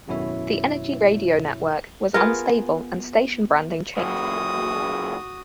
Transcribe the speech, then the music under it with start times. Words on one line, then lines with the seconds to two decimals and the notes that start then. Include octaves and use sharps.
The Energy Radio network was unstable and station branding changed frequently.
0.08 G#1 F#2 B2 E4 C#5 E5
2.14 B3 F4 G#4 A#4
3.97 C#2 F#2 F#4 D#6